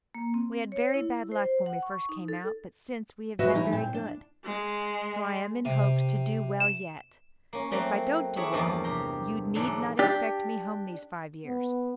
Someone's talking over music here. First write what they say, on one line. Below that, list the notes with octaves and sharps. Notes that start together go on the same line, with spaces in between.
We had very bad luck when we first came out, but since we have had very good; so I am in hopes to do well yet; but if I do n't do well, you need not expect me home these five years.
A#3
C4
C#5
E4
C5
F#5
C#6
D#4
A4
F#4 B4 D#5 E5
E3 G3 D#4 E4
A#2 C4
D4
G#3
C3
E7
A#3 C#4
F#3 A3 A#3 C4
D4 E4 G#4 C#5 E5 A#5
E2 G2 F3 A#3 A#4
C3 G4 A#5
E2 G#2 D3 F#3 D4
D4 G4
B3